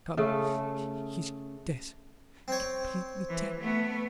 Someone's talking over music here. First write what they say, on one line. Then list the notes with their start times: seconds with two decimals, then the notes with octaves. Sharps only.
Come, he's dead, completely dead.
0.17 C#3 A3 A4
2.48 C4 C#5
3.30 E3
3.61 A3 B3